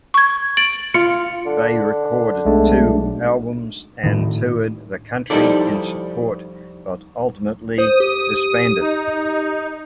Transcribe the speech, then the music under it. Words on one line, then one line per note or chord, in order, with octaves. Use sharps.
They recorded two albums and toured the country in support but ultimately disbanded.
C#6 G#6
A6 D7 F#7
F4 C#7
D3
B1 G#3 A3 D4
A2 D#3
F3 G3 D#4 E4 A4 D5
C5 D#6
G4
D#4